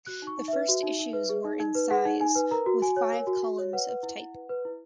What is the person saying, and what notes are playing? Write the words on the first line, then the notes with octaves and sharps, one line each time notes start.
The first issues were in size, with five columns of type.
F#4 F#6
D#4 C#6
D#4
B4 E5
F#4
D#4
D#4
B4
G#4
D#4
D#4
B4
G#4 F#5
D#4
D#4 G#5
B4
A#4 A#5
F#4
F#4 G#5
C#5
A#4
F#4
F#4
C#5
B4 F#5
B4
E4
E4
B4
B4
E4